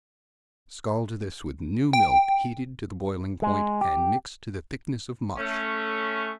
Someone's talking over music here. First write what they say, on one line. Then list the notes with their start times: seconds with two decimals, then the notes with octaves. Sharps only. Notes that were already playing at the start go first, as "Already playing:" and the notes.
Scald this with new milk heated to the boiling point and mix to the thickness of mush.
1.93 G5
3.42 G#3
3.81 G4
5.38 A3 C#4